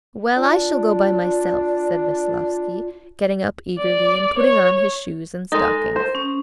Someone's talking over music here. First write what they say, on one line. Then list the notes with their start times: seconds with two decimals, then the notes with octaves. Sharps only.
"Well, I shall go by myself," said Veslovsky, getting up eagerly, and putting on his shoes and stockings.
0.36 D4 F4
3.79 D5
4.38 C#5
5.52 G#3 D#4 A4 A#4
5.96 C5
6.15 C#4